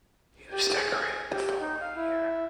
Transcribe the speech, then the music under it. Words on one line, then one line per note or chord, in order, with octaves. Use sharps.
He was decorated the following year.
G4
G#4
G#5
G4
D#4
F5
E4